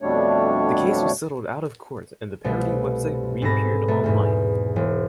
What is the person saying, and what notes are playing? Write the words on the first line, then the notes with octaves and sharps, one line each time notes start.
The case was settled out-of-court and the parody web site re-appeared online.
F2 B2 G3 A3 D4 C#5
C2 B2 A3
G#2 B3 C4 A4 B5 A#6
B2 A3
E2 G#2 B2
E1